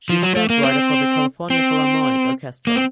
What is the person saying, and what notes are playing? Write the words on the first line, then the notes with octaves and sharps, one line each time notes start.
She is staff writer for the California Philharmonic Orchestra.
F3
F#3
A3
A#3
C4
C4
A#3
C4